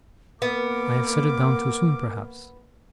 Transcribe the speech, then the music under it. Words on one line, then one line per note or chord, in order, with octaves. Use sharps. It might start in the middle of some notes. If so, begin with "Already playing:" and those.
I have set it down too soon, perhaps.
A#3 B3 A#4 D6